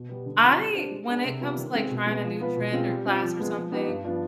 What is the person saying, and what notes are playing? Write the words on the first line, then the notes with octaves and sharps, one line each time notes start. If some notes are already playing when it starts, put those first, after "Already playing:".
I when it comes to, like, trying a new trend or class or something
Already playing: B2
G3 B3
D3
G3 C4 F4
G3
D4 G4 C5
G#3
D4 G#4
C3
G3 B3 F4 B4
D#3
G#3 C4
B2
G#3 B3
F3
B3 F4 B4
B2
G#3 C4 F4
G3
C4 F4
F3
G#3 B3
F3
B3 D#4 G4 B4
G2
F3 B3 D4 F4